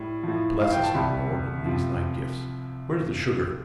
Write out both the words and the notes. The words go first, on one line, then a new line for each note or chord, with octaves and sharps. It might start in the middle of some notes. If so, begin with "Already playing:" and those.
Bless us, O Lord, and these thy gifts. Where's the sugar?
Already playing: A2 G3
A2 F3
F5
G5
A5
C2 C3 G3 B5
C3 F3